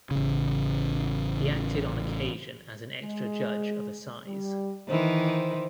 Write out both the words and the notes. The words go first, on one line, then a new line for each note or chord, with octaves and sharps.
He acted on occasion as an extra judge of assize.
A1 C#3
G#3
G3
D#3 E3 C5